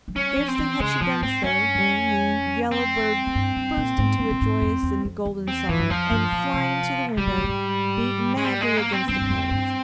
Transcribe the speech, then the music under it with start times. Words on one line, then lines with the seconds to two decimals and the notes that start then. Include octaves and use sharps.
Scarcely had she done so, when the yellow bird burst into a joyous and golden song, and flying to the window, beat madly against the panes.
0.08 F3
0.16 G3 C#4
0.37 F3
0.48 C4
0.59 E3
0.80 C#3 G#3
1.01 A#2 F3
1.22 G#2 C4
1.44 G2 C#4
1.75 F2
2.72 C4
3.27 F2
3.35 G2
3.56 G2
3.77 A#2
3.98 G#2
4.19 G2
4.31 A#2
4.41 G#2
4.62 F2
4.83 E2
5.05 F2
5.25 E2
5.48 C4
5.69 G#2 E3
5.79 G2
5.90 F2 F3
6.11 G2
6.32 A#2
6.54 C3
7.17 C3 G3
7.27 A#2
7.38 C3
7.44 A#2
7.49 G#2
8.37 G#3
8.44 G3
8.61 G#3
8.77 A#3
8.92 C4
9.08 G2 C4
9.20 E2
9.30 F2
9.51 G2